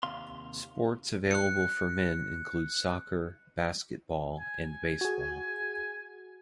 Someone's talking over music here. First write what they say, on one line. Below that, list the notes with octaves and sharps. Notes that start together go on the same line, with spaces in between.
Sports available for men include soccer, basketball, and baseball.
D#2 C3 F5 C6
F#6 C#7
G#5
F#4 G#4